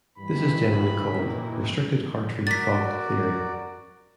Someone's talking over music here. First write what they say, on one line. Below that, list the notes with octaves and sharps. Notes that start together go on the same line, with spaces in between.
This is generally called Restricted Hartree-Fock theory.
G2 D#3 E3 B5
A#2
F#4 A#4 D5 A6 B6